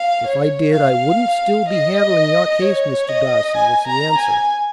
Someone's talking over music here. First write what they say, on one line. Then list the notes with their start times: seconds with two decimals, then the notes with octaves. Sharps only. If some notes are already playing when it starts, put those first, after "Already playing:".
"If I did I wouldn't still be handling your case, Mr. Darcy," was the answer.
Already playing: F5
0.26 C#5
0.73 F5
1.68 D#5
2.62 C#5
3.09 D#5
3.56 G#5
3.87 A#5
4.18 G#5